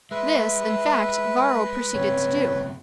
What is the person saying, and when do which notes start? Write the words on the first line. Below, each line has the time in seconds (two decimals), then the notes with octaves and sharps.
This in fact Varro proceeded to do.
0.11 G#3 B4 E5
1.94 G#2 C#3 F#3 A3 C4 C#5